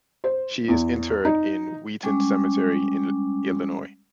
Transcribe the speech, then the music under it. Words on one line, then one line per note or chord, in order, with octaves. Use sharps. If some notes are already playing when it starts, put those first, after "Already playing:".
She is interred in Wheaton Cemetery in Illinois.
C5
E2
D#4
G3 G#3 C#4 D6